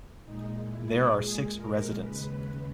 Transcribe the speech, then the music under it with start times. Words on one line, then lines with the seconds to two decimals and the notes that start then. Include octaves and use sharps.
There are six residents.
0.24 A#2 G#3 D#4
0.67 E4
1.12 G#4
1.55 A#4
1.99 D#2 C#3 G#3 B4